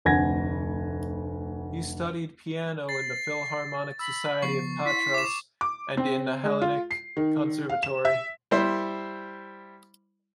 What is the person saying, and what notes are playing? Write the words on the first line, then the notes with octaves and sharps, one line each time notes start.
He studied piano in the Philharmonic Society of Patras and in the Hellenic Conservatory.
F1 D2 F#5 G#5 G#6 A#6
A6 C7
B5 E6
C#3 F3 B3 C#6 C7
E4 C6 B6
D6 E7
D6
C4
G#3
F4
C7
D#3
F5
E7
E5
G3 E4 C5 C6